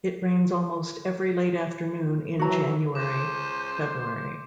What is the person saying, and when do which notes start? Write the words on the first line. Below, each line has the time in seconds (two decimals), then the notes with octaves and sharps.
It rains almost every late afternoon in January-February.
2.39 E3 F#3 F#4 A#5
2.95 C#2 C5 D6